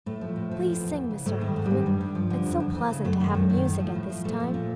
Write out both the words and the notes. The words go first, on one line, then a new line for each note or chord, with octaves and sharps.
'Please sing, Mr Hoffmann, it's so pleasant to have music at this time.
A2 A3
F3
A2
F3
E2
E2
E3
C#3
G#2 A3
D#3
G#2
D#3 G3
G2
G2
F3
D3
F2
F2
E3
C#3
F#2 A3
D#3
F#2
D#3
A2
F3
A2
F3
A#2 A3
F3
A#2